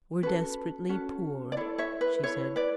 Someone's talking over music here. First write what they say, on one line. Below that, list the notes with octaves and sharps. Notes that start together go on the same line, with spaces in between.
"Were desperately poor," she said.
C#4 F#4 A4 B4
C#4 F#4 A4
D5
E4 A4 C#5
C#5 E5
B4
E4 A4 C#5
B4 D5